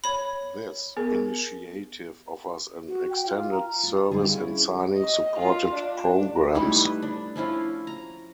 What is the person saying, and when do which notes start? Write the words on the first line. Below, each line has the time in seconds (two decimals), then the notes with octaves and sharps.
This initiative offers an extended service in signing supported programmes.
0.04 C#5 B5
0.97 B3 G#4 A#4
2.88 F#4
3.09 G5
3.26 F4
3.51 A#5
3.83 F4
4.11 D3 G3 D#4 F4 G#4
4.35 C#4 E4 G#4
4.97 D#5
5.39 F4
5.74 D4
6.55 G3 A3 D#4 E4
6.75 B4
7.02 D4
7.36 F3 C#4 E4 F4
7.87 A#5